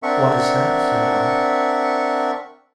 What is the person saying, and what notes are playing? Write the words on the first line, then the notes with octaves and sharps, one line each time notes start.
'What is that?' said I.
C4 D4 A#4 E5 F#5 C#6